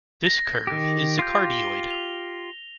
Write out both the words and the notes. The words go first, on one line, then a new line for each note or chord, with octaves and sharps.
This curve is the cardioid.
A#6
D#3 G4
F4 G4 G6
G7
F7